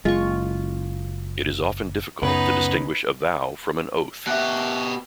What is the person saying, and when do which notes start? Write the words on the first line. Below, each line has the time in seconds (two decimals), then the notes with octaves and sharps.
It is often difficult to distinguish a vow from an oath.
0.05 F#1 G#3 F4 C#6
2.22 C#2 F#2 C#3 B3 C#4 D#4 B4
4.27 B2 G4 E5 F#5 F#6